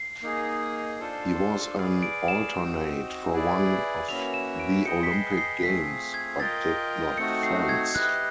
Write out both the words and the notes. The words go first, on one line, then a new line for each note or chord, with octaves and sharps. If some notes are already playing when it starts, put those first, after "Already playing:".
He was an alternate for one of the Olympic Games, but did not fence.
Already playing: C7
A#3 D#4 G#4
D4 F4 A4 C5
G#4 B4 D5 F5
D7
E7
C4 D#4 F#4
E4 G#4 B4 D5
A#3 C#4 F#4 B4 E5 F7
E7
D7
G#4 B4 D#5 G5 C#7
B6
C7
C7
A3 C4 F4 G#4 B6
G#6
F4 A#4 D#5 G5 A6
A3 C4 D#4 F#4 C#7
C7
G#6
E4 G4 B4 D#5 F#6